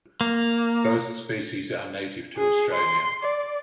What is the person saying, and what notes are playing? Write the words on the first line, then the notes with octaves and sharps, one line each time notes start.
Both species are native to Australia.
A#3
G#4
C6
D5